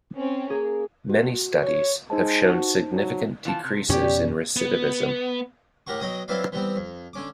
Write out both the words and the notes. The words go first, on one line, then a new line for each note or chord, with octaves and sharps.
Many studies have shown significant decreases in recidivism.
C4 C#4
A#3 G#4
F#4
C#5
G#3 D#4 C5 A5
F#4
F#3
E3 F4 A5
C3
F2 B2 C#4 G4 C#5 D5
B3
A2 G4 A#4 F#5 C#6
B2 F#3 D#5 G5 D#6
F#3 C4 E4 B4 D5 F5
E3 G3 B3 C4
F2
D3 C#4 D6